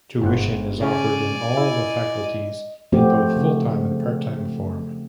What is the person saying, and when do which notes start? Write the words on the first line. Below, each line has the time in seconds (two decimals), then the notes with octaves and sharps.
Tuition is offered in all the faculties in both full-time and part-time form.
0.22 G1 G#2 F#5
0.81 C#3 C#4 D5 G#5
1.57 E4 D#5
2.92 F3 A3 C4 F#4 G4
3.36 C#3